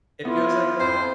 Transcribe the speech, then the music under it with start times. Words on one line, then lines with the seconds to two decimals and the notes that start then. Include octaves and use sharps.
It feels like
0.25 B3 E4 F4
0.80 F2 C5